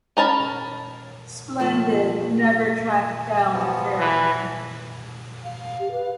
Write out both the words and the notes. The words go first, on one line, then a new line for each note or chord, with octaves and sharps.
"Splendid" never tracked down the carrier.
C#4 A#4 A5 B5
F3 A3 F4 C#5 A5
F3 B3
E3
F5
G4
B4